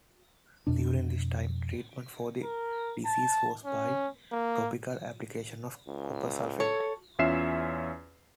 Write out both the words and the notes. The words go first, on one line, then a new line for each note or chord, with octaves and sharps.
During this time treatment for the disease was by topical application of copper sulfate.
F2 B2 D4
A#4
A5
C#4
A#3
C#2
A4 C#5
E2 C#4 F4 E5 C7 E7